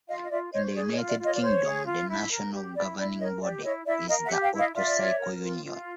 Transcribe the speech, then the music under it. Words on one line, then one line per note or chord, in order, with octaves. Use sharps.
In the United Kingdom, the national governing body is the Auto-Cycle Union.
F4 D#5 F5
D#5
F4 D5 E5
C5 C#5 D#5
G#4 D5
C#5 D#5
F4
D5 E5
F4
C#5 D#5
D5
C5 C#5
G#4
F4
E4
A#4
G4
E4 D5
E4 D5
A#4 C#5 D#5
G4 D5
E4 C#5 D#5
E4 D5 E5
A#4 D#5 F5
E5 F#5
G4
F5 G5
E4
D#5 F5
F4 D5 E5
C#5
A#4
F4
F4